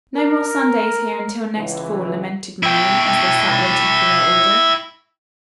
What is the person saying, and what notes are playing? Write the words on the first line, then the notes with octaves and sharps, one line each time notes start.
"No more sundaes here until next fall," lamented Miriam, as they sat waiting for their order.
A#4
C#2 E3
E4 G5